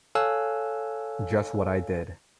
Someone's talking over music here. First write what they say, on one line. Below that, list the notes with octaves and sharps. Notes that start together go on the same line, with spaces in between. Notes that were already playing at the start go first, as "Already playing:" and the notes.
Just what I did.
A4 C#5 F5 G#5 E6 F#6